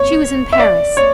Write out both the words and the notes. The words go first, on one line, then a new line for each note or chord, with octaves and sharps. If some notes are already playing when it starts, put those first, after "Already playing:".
She was in Paris.
Already playing: C#5
E5
D5
C#5